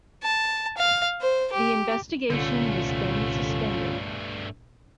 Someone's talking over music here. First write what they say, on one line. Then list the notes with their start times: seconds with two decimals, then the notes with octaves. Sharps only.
The investigation was then suspended.
0.23 A5
0.77 F5
1.21 C5
1.53 G4
2.30 C2 G2 A#2 D3 A3 C#4 F4